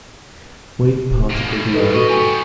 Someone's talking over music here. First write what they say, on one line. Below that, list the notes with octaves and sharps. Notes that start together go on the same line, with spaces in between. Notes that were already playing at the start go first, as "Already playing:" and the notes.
Wave-particle duality.
C3 A#3
E2 B2
A4 B4 D#5
B3 F#4 A4 D#5 C#6
B3 G4 G#5 C#6